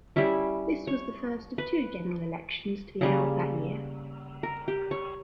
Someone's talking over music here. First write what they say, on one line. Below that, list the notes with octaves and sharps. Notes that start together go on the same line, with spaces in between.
This was the first of two general elections to be held that year.
G3 C#4 E4 E5
C#5
B4
C#3 G3 A#3 G#4
A#4
G4
C#5